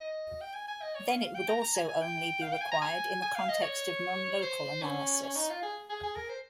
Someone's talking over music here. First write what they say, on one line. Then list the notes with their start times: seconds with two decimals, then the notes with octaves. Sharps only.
Then it would also usually only be required in the context of nonlocal analysis.
0.01 D#5
0.41 G5
0.54 G#5
0.68 G#5
0.82 D#5
0.95 C#5
1.08 F5
1.21 F5
1.35 G5
1.49 A#5
1.62 A#5
1.75 G#5
1.89 G#5
2.02 G5
2.42 F5
2.52 G5
2.61 G#5
2.72 A#5
2.82 G#5
3.22 G#5
3.36 F5
3.49 D#5
3.62 C#5
4.42 C5
4.82 C#4
5.23 C#4
5.36 D#4
5.50 F4
5.63 G#4
5.89 G#4
6.03 G#4
6.16 A#4
6.29 C5